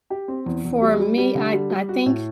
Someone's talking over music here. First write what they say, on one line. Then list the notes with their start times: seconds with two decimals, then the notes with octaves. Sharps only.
for me, I I think
0.10 G4
0.28 C4
0.46 E2
0.65 E2
0.82 G3
1.00 G3
1.18 G3
1.35 D3
1.53 G3
1.71 G3
1.89 F#4
2.06 A2